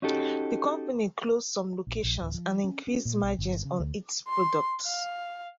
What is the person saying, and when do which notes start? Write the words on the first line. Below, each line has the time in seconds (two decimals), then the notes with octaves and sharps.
The company closed some locations and increased margins on its products.
0.02 C#4 D#4 F#4 G4 A4
1.87 A#1
2.04 A#1
2.21 D1
2.34 F3
2.64 C#4
2.87 C#4
3.05 A#2
3.23 B1
3.39 G1
3.65 C#3
3.79 D2
4.28 C6
4.87 F5